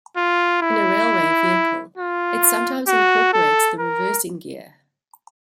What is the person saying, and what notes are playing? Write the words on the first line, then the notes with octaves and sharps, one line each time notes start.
In a railway vehicle, it sometimes incorporates the reversing gear.
F4
E4
F4
F#4
A4
A#4